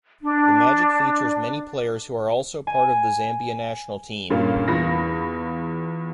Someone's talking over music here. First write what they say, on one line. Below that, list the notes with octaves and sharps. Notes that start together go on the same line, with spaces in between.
The Magic features many players who are also part of the Zambia national team.
D4
G#5
G2 A#2 A#3 C#4 F4
E2 F4 B5 A#6